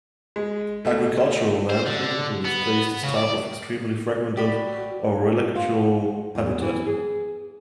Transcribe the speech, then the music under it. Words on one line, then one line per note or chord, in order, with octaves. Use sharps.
Agricultural land frequently displays this type of extremely fragmented, or relictual, habitat.
G#3
A3
C5
D3
B3
C#3
D5
F#4 G4 D5 B5
F4
E2
E3
G#4